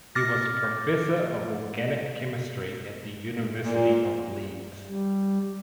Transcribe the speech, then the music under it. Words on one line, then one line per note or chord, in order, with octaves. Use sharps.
He was Professor of Organic Chemistry at the University of Leeds.
D6 F6 A6 A#6
A#2
G3